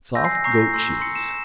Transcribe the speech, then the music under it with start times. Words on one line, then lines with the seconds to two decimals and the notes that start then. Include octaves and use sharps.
Soft goat cheese.
0.15 G#5 C6 E6 G6 A#6
0.25 C7
0.35 A#6
0.44 A#5 C#6 G6 C7
0.54 A#6
0.73 C6 E6 G6
1.01 C6 E6 G6 C#7
1.16 E7